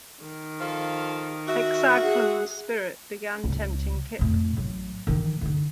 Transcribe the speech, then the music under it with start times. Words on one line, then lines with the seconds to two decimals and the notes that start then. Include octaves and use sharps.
Exar Kun's spirit began tempting Kyp.
0.21 D#3
0.61 F3 A4 F5
1.48 F#4 E5
2.00 G#4 F#5
3.44 C#2
4.19 F2 A2
4.57 A1 F#3
5.07 D#3 E3
5.41 D3 D#4